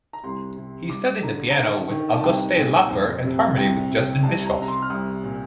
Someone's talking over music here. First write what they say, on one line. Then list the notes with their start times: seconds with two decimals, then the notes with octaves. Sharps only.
He studied the piano with Auguste Laufer and harmony with Justin Bischoff.
0.13 A#5
0.24 C2 C6
0.56 C3
0.90 G2 D6
1.23 D3 A#5
1.50 A#5
1.57 D#3 A5
1.90 D#3
2.17 A5
2.23 C2 G5
2.57 A#2
2.90 F2
3.23 C3
3.57 C2 G5
3.91 C3
4.23 C2 A5
4.46 A#5
4.57 C3 A#5
4.68 C6
4.82 F6
4.90 C2 D#6
5.24 A#2